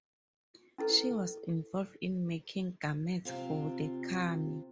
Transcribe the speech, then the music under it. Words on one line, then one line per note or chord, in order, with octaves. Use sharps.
She was involved in making garments for the kami.
C#4 E4 A4 B4
C3 C4 F4